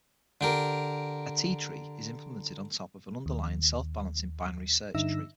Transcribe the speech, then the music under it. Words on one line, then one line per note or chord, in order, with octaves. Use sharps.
A T-tree is implemented on top of an underlying self-balancing binary search tree.
D3 G4 A#4
D#2
G2 D3 D#4 E5 E6 A#6